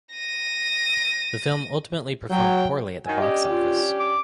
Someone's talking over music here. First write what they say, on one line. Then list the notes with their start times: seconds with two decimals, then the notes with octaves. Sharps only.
The film ultimately performed poorly at the box office.
0.14 A#6 D#7
2.31 F#3 G5
3.06 D#3 F#3 G#5
3.21 C#4 D4 G4 D#5
3.48 F4
4.00 D6